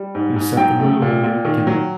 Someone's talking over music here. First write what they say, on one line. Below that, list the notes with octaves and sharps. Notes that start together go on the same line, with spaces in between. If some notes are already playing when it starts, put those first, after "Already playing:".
you know, set the mood. Maybe we can
Already playing: G3
G#2
G#2
F#3 G5
A3
A#2
A#2
D#3
F#3